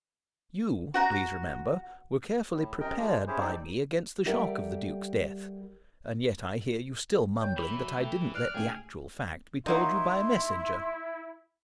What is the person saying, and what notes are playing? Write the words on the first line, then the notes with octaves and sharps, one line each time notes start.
You, please remember, were carefully prepared by me against the shock of the Duke's death; and yet I hear you still mumbling that I didn't let the actual fact be told you by a Messenger.
F#4 F#5 A#5
A2
F#2 C3 A#4 D#5 G5
F3 G#3 A#3
C#4 E4 G4 G#4 C5
C4 D#4 A4 C5 D5
G3 G4 A4 A#4 E5 F#5
C#5 G5 G6
E3 B5
F#3
A3 G5
D5 F6 F#6
G#2 C#3 A3 G#4 G5
F#3 A#3 D#4 E4 C6